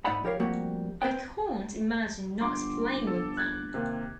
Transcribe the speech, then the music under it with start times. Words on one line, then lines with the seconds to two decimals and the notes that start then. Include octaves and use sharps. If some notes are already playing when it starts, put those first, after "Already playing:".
I can't imagine not playing with them.
0.05 G#2 D#4 D5 E5 F#5 B5
0.24 F3 G4 A#4 C#5 F5
0.39 F3 G3 A3 A#3 C4 F#4
1.02 C4 B4 C5 G5
2.41 G1 C6 D6
3.07 A4
3.37 F#6 G#6 A6
3.74 C3 D#3 A#3